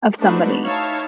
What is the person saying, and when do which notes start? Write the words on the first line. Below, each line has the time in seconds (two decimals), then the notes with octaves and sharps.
of somebody.
0.19 A3 D4 D#4 F#4 B4 C5
0.63 D#4 E4 C#5 E5 F5 A5